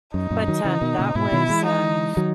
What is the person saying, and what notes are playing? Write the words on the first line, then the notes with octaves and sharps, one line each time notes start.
But, um, that was an
F#2 D#4
F#2 A#2
D#3 F#3
C#3 E3
B2 D#3
A#2 C#3
G#2 B2 E4
B2 D#3
E3 G#3
D#4
D#3 F#3